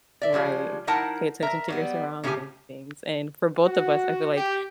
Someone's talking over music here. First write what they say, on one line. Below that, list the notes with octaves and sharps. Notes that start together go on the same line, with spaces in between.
Right, pay attention to your surroundings, and for both of us, I feel like
D5 E5
C#3 F3 G3 G#3
F3 D#4 E4 A#4 F#5 A5
A#4 E5 A#5
F#3 G3 B3
A2 C#3 E3 D#4 G4 G#5
F#4
G4